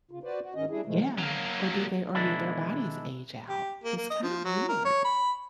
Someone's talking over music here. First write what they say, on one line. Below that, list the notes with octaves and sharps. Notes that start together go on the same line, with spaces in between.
Yeah. Or did they or did their bodies age out? It's kinda weird.
C#3 F4
F#4 B4 C5 D5
F#4
G#2 D#3 C#4 D#5
G3 D4 E4 G#4
B2 D#3 F3 G#3 A3
F#3 A#3
B2 D#3 G#3 D4 E4
G4
A#3
A#3
D#5
F3
F#3
A#4
C#5
B5